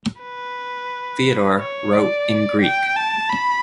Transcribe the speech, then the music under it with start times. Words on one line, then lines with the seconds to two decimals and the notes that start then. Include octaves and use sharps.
Theodore wrote in Greek.
0.22 B4
1.60 C#5
1.93 D5
2.62 G5
2.96 A5
3.30 B5